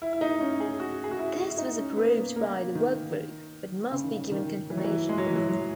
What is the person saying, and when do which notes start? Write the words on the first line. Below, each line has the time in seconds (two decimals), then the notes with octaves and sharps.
This was approved by the work group, but must be given confirmation.
0.02 E4
0.13 E4
0.21 D#4
0.41 C#4
0.60 G#4
0.80 F#4
1.04 G#4
1.11 F#4
1.19 E4
1.43 F#4
1.50 E4
1.58 D#4
1.78 C#4
1.97 B3
2.16 A#3
2.36 A#3
2.75 D#3
3.92 C#3
4.04 D#3
4.16 C#3
4.31 D#3
4.70 E3
4.77 F#3
4.84 E3
5.09 G#3
5.18 F#3
5.26 E3
5.36 F#3
5.48 F#3